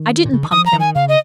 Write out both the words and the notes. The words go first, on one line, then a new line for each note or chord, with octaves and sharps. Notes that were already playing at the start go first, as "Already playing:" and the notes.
I didn't pump him.
Already playing: D#3
A#2
C#3
D#3
F3 D#6
A#5
D#3
G#5
C#3 F5
D#5